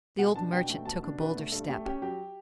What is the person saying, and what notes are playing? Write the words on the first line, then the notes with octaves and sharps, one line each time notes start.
The old merchant took a bolder step.
B2 F#5
D4 A5
B2 G5
A3 G5
B2 A5
D4
B2 B4
A3
G2 A4
A3 G4
C#4 G4
F#3 G4